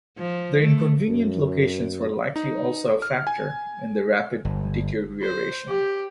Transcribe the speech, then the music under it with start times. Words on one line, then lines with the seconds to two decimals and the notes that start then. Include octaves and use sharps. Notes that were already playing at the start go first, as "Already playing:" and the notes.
Their inconvenient locations were likely also a factor in their rapid deterioration.
0.18 F3
0.64 A3
1.09 F#2
2.36 D#4
3.02 F6
3.27 G#5
4.45 G1
5.22 C5
5.68 G4